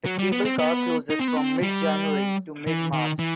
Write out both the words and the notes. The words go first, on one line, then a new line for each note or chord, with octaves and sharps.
The cablecar closes from mid January to mid March.
F#3
G3
B3
C4
B3
D#4
C4
B3
C4
G3
E3
D#3
E3